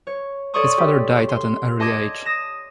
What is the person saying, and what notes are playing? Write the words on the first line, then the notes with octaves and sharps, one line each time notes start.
His father died at an early age.
C#5
A4 C#5 D5 C6 C#6 D#6
G4
C6
D#5 A5 D6 G#6
D#6 A#6 E7